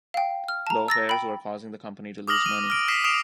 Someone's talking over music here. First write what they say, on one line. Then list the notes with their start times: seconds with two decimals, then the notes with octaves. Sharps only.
Low fares were causing the company to lose money.
0.14 F5 G5
0.48 F6
0.67 A5 A#5
0.88 E6 A6 A#6
1.09 G5 B5
2.28 D6 D#6 F6 A#6 F#7
2.46 D#7
2.70 F6 D7
2.88 D#6 B6 C7 E7
3.04 D#6 F6 C7 D7 E7 F7